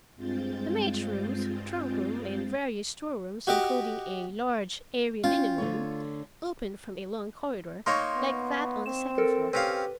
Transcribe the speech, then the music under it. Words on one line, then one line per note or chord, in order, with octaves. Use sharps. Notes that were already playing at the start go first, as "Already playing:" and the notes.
The maids' rooms, trunk-room, and various store-rooms, including a large airy linen-room, opened from a long corridor, like that on the second floor.
G2 G#3 C4 F4 G6 A6
F#4 G4 D#5 D6
C#4 F4 G5
D3 A3 C#5
A#3 D#4 C#5 C6 C#6
B3
C4 E7
A4 A#4
C4 C#4 G4 B4 F5